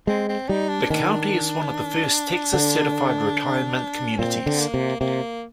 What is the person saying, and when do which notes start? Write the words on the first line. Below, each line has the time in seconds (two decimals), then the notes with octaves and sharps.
The county is one of the first Texas Certified Retirement Communities.
0.07 G#3 C4
0.29 C4
0.49 G3 D#4
0.69 D4
0.90 D#3 D4
2.54 D3
4.19 A#2 C4
4.46 D3
4.59 A#3
4.74 C3
5.01 C3 A#3